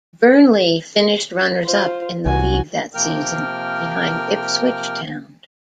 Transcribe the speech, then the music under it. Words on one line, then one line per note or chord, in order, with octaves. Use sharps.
Burnley finished runners-up in the league that season, behind Ipswich Town.
F4 C5
C2 F#4 G#5
C3 F3 A#3 A#4 G5 F6